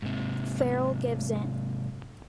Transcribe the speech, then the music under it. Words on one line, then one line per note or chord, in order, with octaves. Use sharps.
Farrell gives in.
G#2 C3